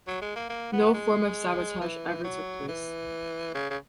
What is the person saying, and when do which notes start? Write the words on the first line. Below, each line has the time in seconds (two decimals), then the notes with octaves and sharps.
No form of sabotage ever took place.
0.08 F#3
0.22 G#3
0.36 A#3
0.50 A#3
0.73 B3
0.94 G#3
1.81 E3
2.24 F#3
2.68 E3
3.55 C#3
3.70 C#3